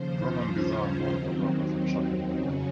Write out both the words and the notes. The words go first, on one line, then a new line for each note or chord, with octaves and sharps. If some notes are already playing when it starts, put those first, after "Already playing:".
Roland disarmed one of the robbers and shot him in the leg.
Already playing: D#2 C#3 F3 C5
F4
C#4
D#2 D#3 F#3 C4
F2 C#3 F#3 C#4